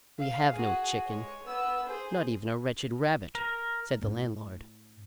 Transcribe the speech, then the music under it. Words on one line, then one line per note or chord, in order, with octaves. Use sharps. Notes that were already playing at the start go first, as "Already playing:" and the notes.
"We have no chicken--not even a wretched rabbit," said the landlord.
F5
F#4 G#4
G#3 C#5
B3 E6
G#4 C5
A#4
A2 C#4